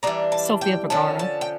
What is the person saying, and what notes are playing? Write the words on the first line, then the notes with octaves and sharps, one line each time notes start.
Sofia Vergara.
E3 G3 D4 A#5
A5
G5
D3 F3 C#4 A5
A5
G5